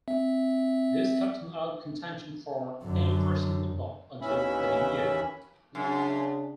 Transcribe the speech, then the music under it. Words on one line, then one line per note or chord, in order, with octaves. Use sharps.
This kept him out contention for any first team football until the New Year.
C4 E5
F#2 D3
D#2 E3 C#4 E5 B5
F#2 C#3 D4